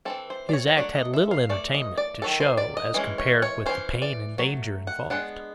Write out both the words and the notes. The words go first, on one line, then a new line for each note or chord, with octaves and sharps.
His act had little entertainment to show as compared with the pain and danger involved.
E3 G3 C4 A4
C5
D5
C#5
C#5
F#3 A3 D4 D5
D#5
E5
F5
E3 A3 D5
D#5
D5
D#3 F#3 A4
C5
D5
D#5
E3 G#3 C#4
C#5
C#5
E3 G#3 C#4 C5
D5
F#3 A3
F#5
G#3 B3 D4 F#5